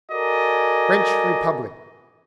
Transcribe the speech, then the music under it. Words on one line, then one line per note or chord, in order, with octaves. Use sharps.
"French Republic."
F#4 A4 A#4 D5 D#5 G#5